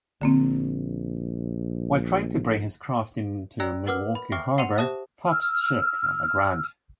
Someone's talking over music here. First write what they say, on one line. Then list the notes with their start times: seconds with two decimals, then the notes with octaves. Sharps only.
While trying to bring his craft into Milwaukee harbor, Pabst's ship ran aground.
0.21 A#1 D3 A#3 C4
3.60 D5 G5 A#5 E6 F#6 A#6
3.87 A#4 B4 F#5 D6 E6 F6
4.15 B5
4.32 E5 G5 C#6 D6 F6 C7
4.58 F#5 C6 C#7 D#7 F7
4.78 G4 C5 E5 A5 D#6
5.27 E6 F6